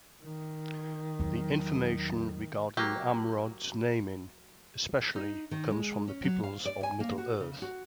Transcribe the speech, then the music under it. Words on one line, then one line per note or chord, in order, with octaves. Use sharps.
The information regarding Amrod's naming, especially, comes from "The Peoples of Middle-earth".
D#3
E2 F#3
F#3 A#3 G4
D#4
D#3
G#3
C#4
F#3
F5
D5
G#5
A#3
F#4
C#3
F#4